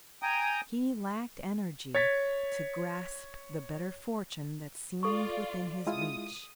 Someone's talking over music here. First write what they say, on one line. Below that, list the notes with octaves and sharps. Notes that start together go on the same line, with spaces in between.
He lacked energy to grasp the better fortune that seemed within his reach.
G5 G#5 A#5 D#6
C#5 G#6 A6 B6
F4 A4 D5 C#6
G#3 E4 F4 D#6